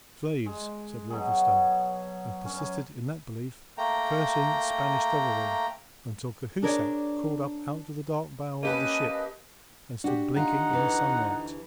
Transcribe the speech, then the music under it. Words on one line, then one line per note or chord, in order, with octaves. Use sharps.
"Slaves," said Wolverstone, and persisted in that belief cursing Spanish devilry until Cahusac crawled up out of the dark bowels of the ship, and stood blinking in the sunlight.
G#3
B2 F#3 G#4
F#2 C#4
G#5
A3 A#3 G5 A#5
D4 G#4 A#4 C#5 D5
A#3 C#4 G4 B4 D#5 A5 D#7
D4 F#4 G4
D#4 F4 F#5
D2 E3